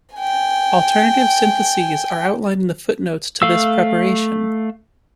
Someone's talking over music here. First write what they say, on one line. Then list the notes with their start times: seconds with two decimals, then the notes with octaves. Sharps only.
Alternative syntheses are outlined in the footnotes to this preparation.
0.15 G5 G#5
3.42 A3 F5 E6